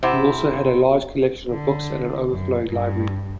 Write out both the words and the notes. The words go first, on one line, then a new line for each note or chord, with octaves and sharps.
He also had a large collection of books and an overflowing library.
C3 E4 C5 F#5
D3
F#2
G2